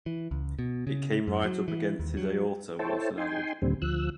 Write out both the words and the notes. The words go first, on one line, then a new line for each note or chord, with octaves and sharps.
It came right up against his aorta', Wilson added.
E3
C#2
B2
C#3
F#2
F#3
E3
D#2
F#3
E4 A4 C5 C#5 G5 A5
D#4 G5 G#5 C6
D#2 A#2 D3 G3 C4
D2 F3 E6 F#6